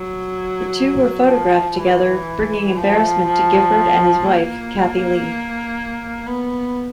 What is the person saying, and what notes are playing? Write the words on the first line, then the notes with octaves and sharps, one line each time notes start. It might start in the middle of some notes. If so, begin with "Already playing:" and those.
The two were photographed together, bringing embarrassment to Gifford and his wife, Kathie Lee.
Already playing: F#3
F3
E3
F3
F3
A#3
B3